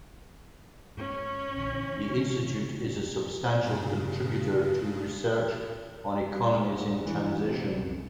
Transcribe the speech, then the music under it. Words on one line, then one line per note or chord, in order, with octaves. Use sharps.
The Institute is a substantial contributor to research on economies in transition.
G#2 C#4
A#1 D3 E3
D3 E3
C#3
G2 C#3
G3
G#2
E3
C3
C2